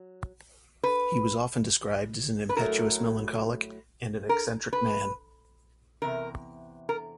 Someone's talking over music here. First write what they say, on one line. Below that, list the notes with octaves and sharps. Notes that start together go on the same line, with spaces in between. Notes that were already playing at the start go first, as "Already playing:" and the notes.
He was often described as an impetuous melancholic and an eccentric man.
Already playing: F#3
B4
B4
A2 F#3 A3 A#4
A#4
B4
E2 C3 A#4
A#4